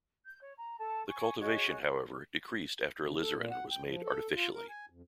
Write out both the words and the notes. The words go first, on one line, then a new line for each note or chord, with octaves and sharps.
The cultivation, however, decreased after alizarin was made artificially.
G6
C#5
A#5
A4 A5
G#5 C#6
F#4 G#4 C#5 D#5
C#3
A4
A#2
F#5
G5
F3
A4
F4
A#4
G#5
F2